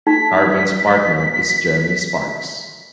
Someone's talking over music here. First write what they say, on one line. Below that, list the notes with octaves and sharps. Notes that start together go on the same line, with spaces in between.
Karvan's partner is Jeremy Sparks.
D#4 B6